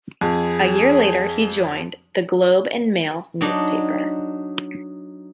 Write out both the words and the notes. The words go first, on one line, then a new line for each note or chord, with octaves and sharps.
A year later, he joined "The Globe and Mail" newspaper.
F2 G#4
F#3 D4 D#4